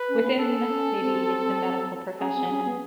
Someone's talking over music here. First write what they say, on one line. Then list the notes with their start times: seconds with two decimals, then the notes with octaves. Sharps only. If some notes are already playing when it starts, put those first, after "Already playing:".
within maybe the medical profession
Already playing: B4
0.09 C#4
0.24 B3
0.38 C#4 A4
0.69 C#4
1.00 C4
2.20 C#4 G#4
2.35 C4
2.50 C#4
2.65 B3